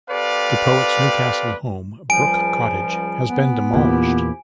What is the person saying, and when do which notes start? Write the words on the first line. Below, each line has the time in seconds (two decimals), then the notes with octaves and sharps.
The poet's Newcastle home, Brook Cottage, has been demolished.
0.10 C4 G4 A4 B4 D5 F5
2.10 C#2 F3 G3 G#5 D7
3.27 B3
3.74 E2 A#2 F3 E4 G4